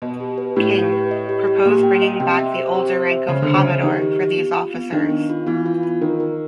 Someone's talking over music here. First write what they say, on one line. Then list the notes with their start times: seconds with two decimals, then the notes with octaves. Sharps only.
King, proposed bringing back the older rank of "commodore" for these officers.
0.02 B2 D#5
0.20 G4
0.38 B4
0.56 A2 G4
0.74 G4
0.92 B4
1.11 D#5
1.29 G4
1.47 G4
1.65 A#2 G4
1.83 G5
2.02 D#5
2.20 C3 G5
2.38 E5
2.56 C5
2.75 G4
2.93 C5
3.11 E5
3.29 C#3 C5
3.42 D3
3.48 C5
3.54 C#3
3.65 E5
3.83 D#3 G4
4.02 G4
4.19 G4
4.37 B3
4.56 F4
4.74 B3
4.92 D#3 D4
5.10 B3
5.30 F4
5.46 E3 B3
5.66 F4
5.83 F4
6.01 D#3 A#4
6.20 A#4